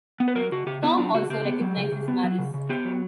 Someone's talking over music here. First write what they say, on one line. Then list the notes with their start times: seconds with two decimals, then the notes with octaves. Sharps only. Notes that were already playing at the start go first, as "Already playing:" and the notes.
Tom also recognizes Maris.
0.20 B3
0.28 B4
0.35 F#3 A#4
0.52 C#3 F#4
0.66 C#3 G4
0.83 B3 E4
0.98 F#3 D4
1.14 C#3 F#4
1.30 C#3 G4
1.45 B3
1.61 F#3
1.77 C#3
1.92 C#3
2.08 B3
2.23 F#3
2.39 C#3
2.54 C#3
2.69 B3 G4
2.85 F#3